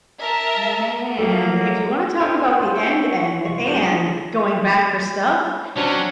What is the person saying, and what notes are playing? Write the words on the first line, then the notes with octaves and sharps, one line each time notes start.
Man, if you wanna talk about the end end and going back for stuff,
A#4 E5 A5
F#3 A3 A#3
A4 C5 G5 G#5 C#6 F6
E4 F4 C5 G5
C#5 G5 C#6 E6 G6
C2 F4 C#6
C#3 F#3 A3 D4 G6 C#7
G#4
C3 F#3 C#4 D4